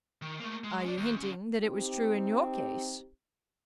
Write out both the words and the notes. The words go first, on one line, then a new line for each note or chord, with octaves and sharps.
"Are you hinting that it was true in your case?"
D#3
A3 A#3
G#3
C#4 D5
D#2
D3 C#4
C4 D#4 G4